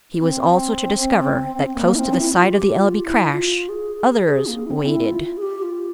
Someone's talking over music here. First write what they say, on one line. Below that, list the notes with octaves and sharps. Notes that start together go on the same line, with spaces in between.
He was also to discover that close to the site of the L-B crash others waited.
C4
A#3
E4
C4
F4
E4
F4
G4
F4
E4
F4
G#4
G#4
G#4
A#3
E4
C4
E4
F4
G#4
G4
F4